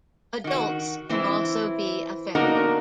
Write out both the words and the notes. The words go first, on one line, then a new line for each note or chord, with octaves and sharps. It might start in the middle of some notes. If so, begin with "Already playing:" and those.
Adults can also be affected.
D#3 F#4
E3 C4 E4
A#3 B3 D4 D#4 F#4 A#4